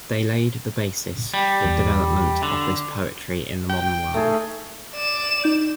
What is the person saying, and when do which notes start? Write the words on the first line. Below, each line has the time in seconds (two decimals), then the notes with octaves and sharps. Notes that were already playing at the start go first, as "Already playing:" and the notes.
They laid the basis for development of this poetry in the modern world.
1.34 G3
1.64 E2
2.43 D3
3.70 G5
4.14 A3 D#4 G#4
4.94 D5 E7
5.44 D#4 G6